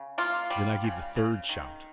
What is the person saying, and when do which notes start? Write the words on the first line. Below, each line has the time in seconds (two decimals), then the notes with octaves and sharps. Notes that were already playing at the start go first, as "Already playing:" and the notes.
Then I gave the third shout.
Already playing: C#3
0.18 A#3 F4
0.50 G3
0.84 C#3
1.16 C#3
1.49 D#3